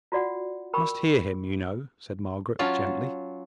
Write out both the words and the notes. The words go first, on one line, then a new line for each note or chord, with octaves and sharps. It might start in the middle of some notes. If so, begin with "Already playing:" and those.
"I must hear him, you know," said Margaret, gently.
F4 F#4 D5 F#5
A#4 G5 B5 C#6 E6
F#3 C#4 F4 F5 A5